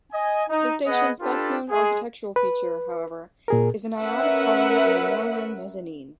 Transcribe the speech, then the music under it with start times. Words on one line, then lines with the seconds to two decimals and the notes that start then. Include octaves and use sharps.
The station's best-known architectural feature, however, is an Ionic column in the northern mezzanine.
0.12 D#5 G#5
0.48 D#4
0.85 B3 G#4 D#5 F#5
1.21 D4 F4 G4 A4 B4
1.69 G#3 G#4
2.36 B4
3.48 A#2 G#4 A#4
4.01 C#4 A#4 B4 E5 F#5